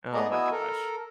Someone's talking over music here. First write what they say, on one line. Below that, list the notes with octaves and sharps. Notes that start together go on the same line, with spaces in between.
Oh my gosh.
A3 B3 G#4 D5 D#5 A#5
B3 E4 F#4 D#5 G#5 E6
A4 A#4